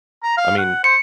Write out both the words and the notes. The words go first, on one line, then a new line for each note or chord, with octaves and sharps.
I mean
A#5
F5
F#5
C5 C#7